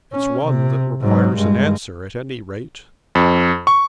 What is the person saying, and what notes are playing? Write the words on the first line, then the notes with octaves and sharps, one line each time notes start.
"It's one that requires an answer, at any rate."
C#4
C3
G#2 F#3
G2 G#3
F2
C#6